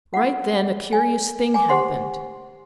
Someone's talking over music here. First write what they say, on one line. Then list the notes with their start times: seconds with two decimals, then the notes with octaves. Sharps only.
Right then a curious thing happened.
0.14 F4 F#5
0.93 G#5
1.54 G#5 A#5 D6
1.69 G4 C5 F#5 C6